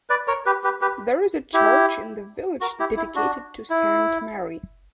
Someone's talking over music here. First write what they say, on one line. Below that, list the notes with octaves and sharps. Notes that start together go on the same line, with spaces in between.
There is a church in the village dedicated to Saint Mary.
B4 D5
A#4 C#5
G4 B4
G4 B4
G4 B4
E4 G4
F#4 A#4
E4 G4
E4
D4 F#4
E4